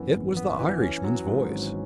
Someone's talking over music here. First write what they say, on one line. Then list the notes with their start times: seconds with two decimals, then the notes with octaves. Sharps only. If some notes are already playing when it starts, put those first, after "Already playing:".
It was the Irishman's voice.
Already playing: F#2 E3 B3
0.14 G#1
0.37 B3
0.59 E3
0.81 C#4
1.04 F#3
1.27 G#2
1.50 G#1